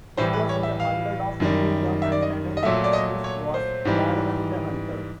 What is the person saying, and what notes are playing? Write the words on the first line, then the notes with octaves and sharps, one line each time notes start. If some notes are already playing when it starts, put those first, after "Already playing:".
It was in the hundred of Gillingham and tenant-in-chief was Waleran the hunter.
A2 E3 G3 C5
B4
C#5
E5
F5
F#2 D#3 G3
E5
D5
D#5
D#5
A#2 F#3 A3 E5
D5
D#5
C#5
C5
G#2 E3 G3